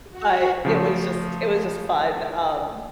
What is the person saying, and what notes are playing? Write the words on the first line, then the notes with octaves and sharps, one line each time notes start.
But it was just it was just fun, um
F#4
C#3 F3 A3